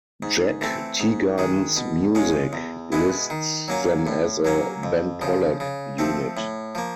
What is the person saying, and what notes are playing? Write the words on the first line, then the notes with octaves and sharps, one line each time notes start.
"Jack Teagarden's Music" lists them as a "Ben Pollack Unit".
G#2
E3 A3 C4
G#2
D#3 G#3
B2
G#3 C#4 F4
E2
B2 G#3 B3 E4
D#3
F#3 A#3 C#4 F4
A2
F#3 A#3 C#4
F2
C#3 F3
C#3
F3 A3 C4
A2
F3 A#3